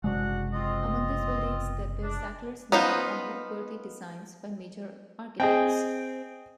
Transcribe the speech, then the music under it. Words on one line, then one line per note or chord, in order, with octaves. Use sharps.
Among these buildings that bear Sackler's name are noteworthy designs by major architects.
F#1 C3 G#3 D4 F#4 F#5
C4 F4 D#5
D4
B3 C#4 D#4 F4 C5
C4 G#4 D#5 G5